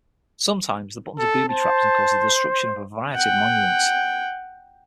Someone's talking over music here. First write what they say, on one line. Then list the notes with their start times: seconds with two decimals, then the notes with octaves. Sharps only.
Sometimes the buttons are booby-trapped and cause the destruction of a variety of monuments.
1.19 A4
1.49 C5 A5
3.15 F#5 G5